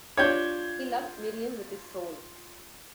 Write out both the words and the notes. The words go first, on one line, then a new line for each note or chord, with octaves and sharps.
He loved Miriam with his soul.
D4 F4 G4 C#5 G6 G#6